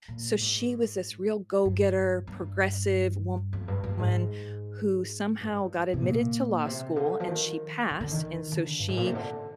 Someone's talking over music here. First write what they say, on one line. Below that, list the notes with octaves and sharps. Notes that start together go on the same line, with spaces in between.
So she was this real go-getter, progressive woman who somehow got admitted to law school, and she passed and so she,
A#2
G#2
G2
G2
F2
G2
G2
G#2
G2
C3
A#2
C3
D3
F3
D#3
D#3
D3
D#3
D3
G2
G#2
A#2
C3
D3